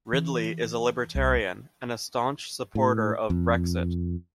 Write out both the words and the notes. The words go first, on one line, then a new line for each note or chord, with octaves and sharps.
Ridley is a libertarian, and a staunch supporter of Brexit.
E3
C2
A2
F2